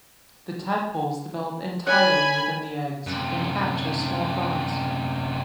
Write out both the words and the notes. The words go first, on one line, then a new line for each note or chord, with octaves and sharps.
The tadpoles develop entirely within the eggs and hatch as small frogs.
C#5 G#5 B5 F#6
F#2 C3